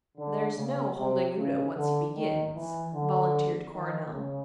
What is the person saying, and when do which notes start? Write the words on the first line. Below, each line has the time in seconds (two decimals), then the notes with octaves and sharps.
"There's no holding Udo once he begins," volunteered Coronel.
0.18 D3
0.57 C#3
0.97 C3
1.37 C#3
1.75 D3
2.16 D#3
2.55 E3
2.94 D3
3.73 D#3
4.13 C#3